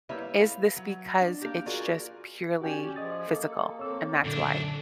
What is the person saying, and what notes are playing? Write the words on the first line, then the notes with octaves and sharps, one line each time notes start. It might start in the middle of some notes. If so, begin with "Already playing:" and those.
"Is this because it's just purely physical?" And that's why
G3 A#3 E4 B4 C#5 E5
F5
F#3
D4
A#3 G4
F4 F#4 G#4 A#4 D5 F5
C#4 F#4 G4 D5 G5 G#5
F3 G#4 D#5 D#6 A6
A#3 A4
C4 A4 C#5 E6
F#2 A#2 D3 D4 A4